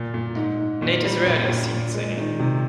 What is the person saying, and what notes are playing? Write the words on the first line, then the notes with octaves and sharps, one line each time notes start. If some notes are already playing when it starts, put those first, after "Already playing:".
Nate is rarely seen singing.
Already playing: A#2
A#2
G#2
G#2
A#2
G3
A#1
A#2
A#2
G#3
D#3
C3